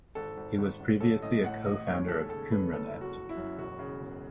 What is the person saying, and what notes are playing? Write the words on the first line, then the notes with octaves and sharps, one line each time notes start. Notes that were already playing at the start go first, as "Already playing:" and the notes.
He was previously a co-founder of Qumranet.
G#1 A4
G#1
G#1
G#1
A1 A4
A2 D#5
A2 F#5
A1 D#5
D#2 C#5
G#3 A4
C#3 A4
B3 B4
F#1 A4
F#1
F#4
F#1
E4
F#2
E1 F#4
C#3
E1